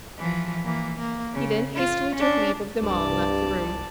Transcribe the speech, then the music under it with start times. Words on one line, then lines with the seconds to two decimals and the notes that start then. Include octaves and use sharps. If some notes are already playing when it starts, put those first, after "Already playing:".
He then hastily took leave of them all and left the room.
0.18 E3 F3
0.64 E3 A#3
0.97 A#3
1.34 C#3
1.76 F4
2.15 C#4 D4
2.82 C2 G2 D5 A5